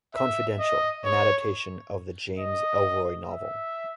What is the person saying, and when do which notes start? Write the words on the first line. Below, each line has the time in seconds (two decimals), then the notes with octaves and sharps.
Confidential, an adaptation of the James Ellroy novel.
0.15 E5
0.59 D#5
1.05 C#5
2.39 D#5
3.30 E5